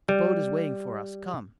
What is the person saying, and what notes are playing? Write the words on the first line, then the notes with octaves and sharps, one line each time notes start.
"The boat is waiting for us; come."
G3